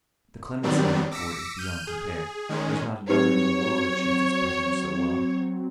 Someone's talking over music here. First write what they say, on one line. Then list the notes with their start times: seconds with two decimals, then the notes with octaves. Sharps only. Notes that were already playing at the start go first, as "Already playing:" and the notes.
The clemency of the Court is beyond compare; there's not another in the world that treats its prisoners so well.
0.63 D#3 F#3 G3 B3 C4 D4
1.11 D6 E6 A#6 B6 C#7
1.57 F6 G6 D#7
1.87 G#4
2.49 D#3 G#3 C#4
3.09 F#3 C4 D#4 G4 B4 C#5